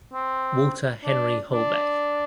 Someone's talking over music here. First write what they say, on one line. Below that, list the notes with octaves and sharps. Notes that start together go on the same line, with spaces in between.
Walter Henry Holbech.
C4
D4
D4